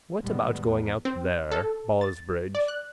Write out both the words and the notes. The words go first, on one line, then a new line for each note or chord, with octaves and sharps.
What about going out there: Ballsbridge.
F2 A2 D#3 G3 G#3 B3
E2
C4
A4
A6
D5
F#6